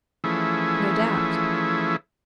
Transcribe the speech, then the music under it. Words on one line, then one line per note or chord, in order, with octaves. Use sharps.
No doubt.
E3 F3 A3 C#4 E4 G#4